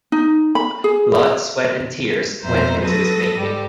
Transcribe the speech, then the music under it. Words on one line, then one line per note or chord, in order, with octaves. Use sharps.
Blood, sweat and tears went into its making.
D#4
B5
G#4
F2 B2 C5 E5 A#5
F#3 A4 B4 D#6 A#6
G#2 G3 G4 A4